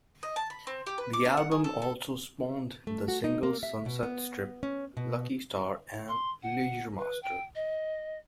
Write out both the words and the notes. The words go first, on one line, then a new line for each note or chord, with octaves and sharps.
The album also spawned the singles 'Sunset Strip', 'Lucky Star' and 'Leisuremaster'.
D#5
A5
B5
C4
G4
B4
D6
D4
F#5
G#4
A4
A4
A3
F#4
D#4
A#3
E5
B2
B3
C#4
B2
C6
F#5
B4
G5
D#5